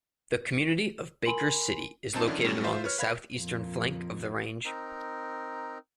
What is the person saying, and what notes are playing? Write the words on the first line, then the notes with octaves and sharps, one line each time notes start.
The community of Baker City is located along the south-eastern flank of the range.
A#4 G#5 B5 C6 F#7
C2 F#2 C4 D#4 A5
D3 D#3 F3 C#4 D4 E4
F#2 B2 G3 A3 C#4
F4 C5 E5
B4 C#5 F6
B4 F5 B5 G#6
F2 A#2
C4 D#4 A#4